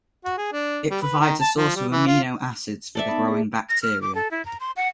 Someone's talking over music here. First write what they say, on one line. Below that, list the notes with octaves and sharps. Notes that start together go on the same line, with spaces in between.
It provides a source of amino acids for the growing bacteria.
F#4
G#4
D4
G3
B4
D#3
A5
F3
G3
E3
F4
A4 D5 E5
B3 D#4 A5
A#3 G#4
A#6
F6
D6
A4
E4
A#5
C6
F#5